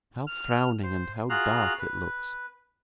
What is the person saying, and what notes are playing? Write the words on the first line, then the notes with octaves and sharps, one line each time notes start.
How frowning and how dark it looks!'
F6
C5
F4 F#4 G#4 F5 A#5 F#6
B4